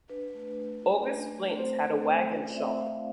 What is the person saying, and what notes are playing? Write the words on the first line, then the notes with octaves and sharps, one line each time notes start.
August Flint had a wagon shop.
D4 B4
A3
A3
F4
D4
A3
C4 C5
A3
A3
F4 D5
C4 E5
A3 F5